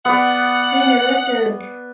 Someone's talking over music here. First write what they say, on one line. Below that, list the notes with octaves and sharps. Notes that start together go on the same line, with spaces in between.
He never served.
B3 D5 F#5